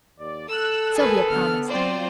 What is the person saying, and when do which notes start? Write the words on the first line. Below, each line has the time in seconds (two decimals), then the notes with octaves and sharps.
Sylvia promised.
0.19 D#2 D5
0.49 A4 E6 F#6
0.95 D#3 G#4 B4 G#5
1.29 D3 B3 F6
1.68 F#3 C4 F4 C5 D5